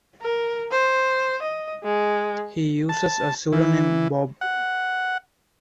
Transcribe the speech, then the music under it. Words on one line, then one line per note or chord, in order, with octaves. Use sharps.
He uses a pseudonym, Bob.
A#4
C5
D#5
G#3
A5
E3
F#5